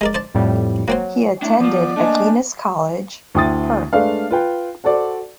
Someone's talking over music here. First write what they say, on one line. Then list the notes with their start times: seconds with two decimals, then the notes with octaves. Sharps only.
He attended Aquinas College, Perth.
0.01 G#3 A#4 D5
0.14 C5 D5 A5
0.34 F2 A2 G3
0.88 F#3 A#3 C4 C5
1.42 A3 D4 E4
1.60 F3 B3 F4 D5
1.96 A3 A#3 D4 D#5 G#5
3.35 D2 E4 G5 D#6 A6
3.93 G#3 A3 D4 B4 D5 F5
4.31 F4 B4 G5
4.84 F#4 A4 C5 D5